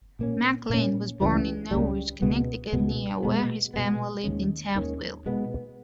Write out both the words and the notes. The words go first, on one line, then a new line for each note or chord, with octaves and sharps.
Mac Lane was born in Norwich, Connecticut, near where his family lived in Taftville.
A#2 A#3 C#4
A#2 A#3 C#4
C#2 C#3 E3 G3
C#2 C#3 E3 G3
C#2 B2 G#3 B3
C#2 B2 G#3 B3
B2 G#3 B3
B2 G#3 B3
D#2 D#3 G#3 C#4
D#2 D#3 G#3 C#4
B2 G#3 B3